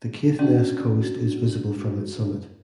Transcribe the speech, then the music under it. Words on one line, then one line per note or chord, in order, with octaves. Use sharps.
The Caithness coast is visible from its summit.
C#4 D4 F#4